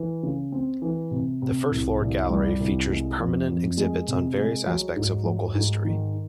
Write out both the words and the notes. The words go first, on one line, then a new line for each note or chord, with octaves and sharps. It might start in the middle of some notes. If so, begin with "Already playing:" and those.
The first floor gallery features permanent exhibits on various aspects of local history.
Already playing: E3
C#3
C4
E3
C3
C3
C2
C2
G3
C2
G#3
F2
F2
G#3
C3
G#3
F#3
G#2
F#3
G#2
D#3